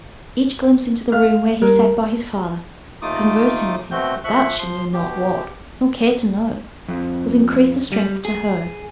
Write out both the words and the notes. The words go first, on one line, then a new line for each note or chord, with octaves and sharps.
Each glimpse into the room where he sate by his father, conversing with him, about, she knew not what, nor cared to know,--was increase of strength to her.
F5 F6
G3 A#4
D#2 A3 D#4 F4 D6 D#6
B2 A3 C4 F#4 G6
F3 E5 C#6 F#6
F3 C6
B2 G4
F2
G3
G#4